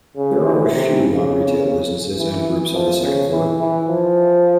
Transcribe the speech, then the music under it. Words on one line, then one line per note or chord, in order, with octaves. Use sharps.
There are a few non-retail businesses and groups on the second floor.
C#3
E3
C3
C#3
E3
F3
C#3
E3
E3
F3